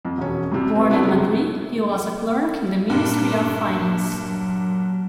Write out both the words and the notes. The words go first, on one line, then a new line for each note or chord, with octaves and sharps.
Born in Madrid, he was a clerk in the ministry of finance.
F2
E1 C#4
G2 C3
C4 B4
C3 B3 D4 E4 E5
F#2 C#3 G3 G#3 C4
G2 A#2
F#3